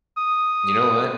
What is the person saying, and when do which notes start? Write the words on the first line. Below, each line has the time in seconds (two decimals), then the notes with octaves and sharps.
You know what?
0.17 D#6